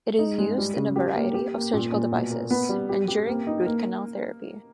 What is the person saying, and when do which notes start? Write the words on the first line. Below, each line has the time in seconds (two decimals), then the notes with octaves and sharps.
It is used in a variety of surgical devices and during root canal therapy.
0.19 D#4
0.38 G#3
0.58 G3
0.77 C#3
0.96 G4
1.15 A#3
1.34 G4
1.54 A#3
1.73 A#2
1.92 A#2
2.11 B2
2.31 A#3
2.50 B3
2.69 G3
2.89 G4
3.08 G4
3.27 A#3
3.47 D#4
3.66 A#3